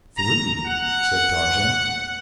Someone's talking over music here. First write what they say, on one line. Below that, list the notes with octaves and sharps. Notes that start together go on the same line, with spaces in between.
"Three?" said Tarzan.
A#5
F#5